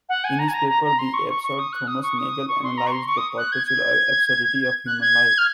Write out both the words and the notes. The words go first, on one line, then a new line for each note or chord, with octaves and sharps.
In his paper, "The Absurd", Thomas Nagel analyzed the perpetual absurdity of human life.
F#5
G#5
A#5
G#5
A#5
A#5
A#5
C6
C#6
C#6
C#6
D#6
F#6
D#6
C#6
D#6
C#6
C6
A#5
C#6
C6
C#6
D#6
F#6
G#6
G#6
F#6
G#6
F6